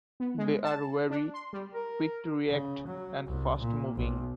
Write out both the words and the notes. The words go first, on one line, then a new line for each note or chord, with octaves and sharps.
They are wary, quick to react, and fast-moving.
B3
G#3
A5
D4
C6
G3
A#4
C#3
F#3
C2
A#2
B1